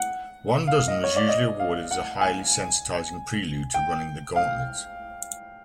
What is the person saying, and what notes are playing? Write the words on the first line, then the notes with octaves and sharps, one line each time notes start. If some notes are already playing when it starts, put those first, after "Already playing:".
One dozen was usually awarded as a highly sensitizing prelude to running the gauntlet.
Already playing: F#5
F5
D#5
C#5
D5
D#5
F5
F#5
G#5
G5
F5